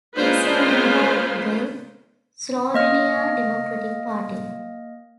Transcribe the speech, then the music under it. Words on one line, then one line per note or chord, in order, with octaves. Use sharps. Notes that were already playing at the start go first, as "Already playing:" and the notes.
He is a member of the Slovenian Democratic Party.
G#3 A#3 C#4 F4 B4 C5
A#3 D#5 F6